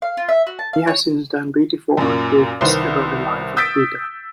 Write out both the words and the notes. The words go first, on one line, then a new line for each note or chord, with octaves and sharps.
He has since done beautiful art books about the life of Buddha.
F5
F4
E5
F#4
A5
F5
C#5
F#2 A#2
C2 D#3 B4 C5 C6
D#6 E6 G6 A6 B6 D7